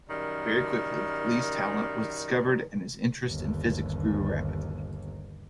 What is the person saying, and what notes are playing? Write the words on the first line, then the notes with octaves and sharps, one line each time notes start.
Very quickly, Lee's talent was discovered and his interest in physics grew rapidly.
F#2 D#3 G3
G1 D#2